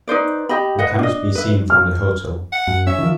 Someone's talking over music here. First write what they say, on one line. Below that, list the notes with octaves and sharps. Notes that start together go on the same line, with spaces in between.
We cannot be seen from the hotel.
D#4 B4 C5 D5
G4 D#5 B5
B4 D#5 F#5
D4 D#5
B4 E5
F6
F#5
F#2
C#4 E5
D#3 F3